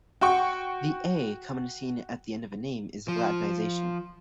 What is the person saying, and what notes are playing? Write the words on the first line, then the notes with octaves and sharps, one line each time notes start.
The "a" commonly seen at the end of her name is a latinisation.
F#4 G5 C#6
F3